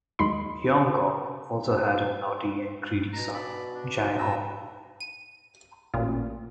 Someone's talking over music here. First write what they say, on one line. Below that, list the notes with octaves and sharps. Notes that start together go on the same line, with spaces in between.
Yong Gong also had a naughty and greedy son, Jae-hong.
D#2 F#3 G#3 D#4 B5 C6
B2 A#5
D5 B5
D4
A#5 E6
D#7
A1 A#2 F4